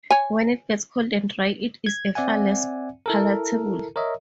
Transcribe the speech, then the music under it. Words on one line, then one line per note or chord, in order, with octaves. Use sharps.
When it gets cold and dry it is far less palatable.
C#5 G#5
G#6
C4 D5 E5 F#5 G#5
E4 A4 A#4
A#4 C#5 D#5 E5